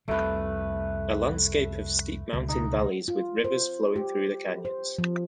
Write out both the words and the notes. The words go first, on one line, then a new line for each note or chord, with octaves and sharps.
A Landscape of steep mountain valleys with rivers flowing through the canyons.
C2 F2 C3 A3 B4
C#2 B2 D3
D#4
F4
C5
G4
C5
F3